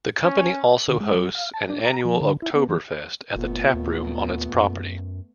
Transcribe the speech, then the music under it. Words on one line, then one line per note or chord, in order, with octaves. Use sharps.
The company also hosts an annual Oktoberfest at the Tap Room on its property.
C#4
D3
G#3
F#3
F5
A5
D4
A#5
F3
D3
E4
B3
E3
F#1 A#2 A3 B3
D#2
F#2